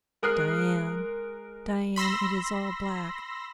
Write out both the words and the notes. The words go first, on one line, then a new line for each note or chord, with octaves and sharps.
Diane, Diane, it is all black.
G#3 A#4 D#6 F6 F#6 C7
B5 C6 E6 A#6